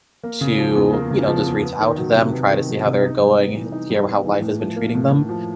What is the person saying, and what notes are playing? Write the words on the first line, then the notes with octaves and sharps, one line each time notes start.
to, you know, just reach out to them, try to see how they're going, hear how life has been treating them,
A#3
C#3
F3
E2
A#3
C#3
F3
E2
B3
D#3
F#3
C3
B3
D#3
F#3
C3
D#4
G3
B3
E3
D#4
G3
B3
E3
A2
F3
A#3
A2
A2
F3